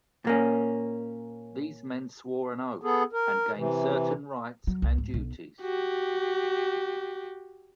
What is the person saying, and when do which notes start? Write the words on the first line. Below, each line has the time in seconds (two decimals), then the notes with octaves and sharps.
These men swore an oath and gained certain rights and duties.
0.25 A#2 A#3 C#4
2.82 B3 G#4 A4
3.13 A#4
3.56 C3 E3
4.67 F#3
4.82 C2
4.98 G#2
5.14 B1
5.62 F#4 G4